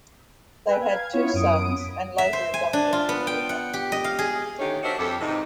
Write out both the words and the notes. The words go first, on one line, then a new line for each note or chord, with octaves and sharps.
They had two sons and later adopted a daughter.
B4 G5 G#5 E6
F5 G#6
B3 E4 F4 C#5
F#2 D#6 D7
E5
C5
G#5
D4
F4
B3
G5
F#5
G4
D#5
F5
G#4
D3 D#3 A3 C#4 D#4 G4
D4 F#4 A#4 C5 D#5 E5
F2 G4 A4
G#2 C3 E3 D#4